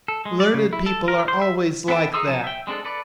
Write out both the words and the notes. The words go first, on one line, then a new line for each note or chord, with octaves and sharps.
Learned people are always like that.
A4
G#3
D5
C#3
E4
A4
A#4
C5
E5
B3 C4 A4 G5 A5
D#4 G#4 C6 D#6 E6
F3 D#4 G#5 A5
E5 G5
G#3 C4 D4 A4
A4 B4 D5